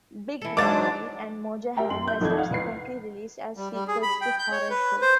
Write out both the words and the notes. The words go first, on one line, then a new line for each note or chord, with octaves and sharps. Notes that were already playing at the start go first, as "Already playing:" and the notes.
"Big Rock Beat" and "Mojo Hand" were subsequently released as sequels to "Horror Show".
E3 A4
G#2 F#3 G#3 D4 C5 D6 A6
G4 A#4 E5 G5 A#5
F#2 C6 F#7
E5 G6
G#1 F2 E4 A4 G6 G#6
F5 F#5
C#2 B4 C7
G3
G3
G#4
B5
G5
G6
C#5
B4
C5